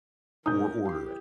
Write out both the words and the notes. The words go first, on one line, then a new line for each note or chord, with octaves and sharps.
or order it.
B2 C#4 D#4 A#4 D#6 G6
E4 G4 F5 C7